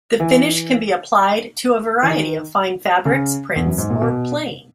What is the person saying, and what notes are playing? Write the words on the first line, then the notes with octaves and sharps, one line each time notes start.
The finish can be applied to a variety of fine fabrics, prints or plain.
E3
E3
D#3
C#3
E2
F#2
G#2
A#2
B2